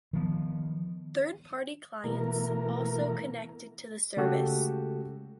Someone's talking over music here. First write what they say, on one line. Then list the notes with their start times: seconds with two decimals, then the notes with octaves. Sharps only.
Third-party clients also connected to the service.
0.13 D#3 F3 B3
2.04 B2 E3 A3 A#3 A#4
4.17 C#3 G#3 A3 F#4 G4 A4